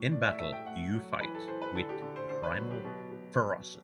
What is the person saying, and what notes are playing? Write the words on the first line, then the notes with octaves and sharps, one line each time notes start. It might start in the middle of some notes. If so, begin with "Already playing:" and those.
In battle, you fight with primal ferocity.
Already playing: A2
A3 D5
E5
A3 E5
G5
A3 F#5
F#3
E3 B4
A4
E3 C5
B4
D3 A4
G4
D3
C5
D3 C5
B4
F#3
G4
B2
B2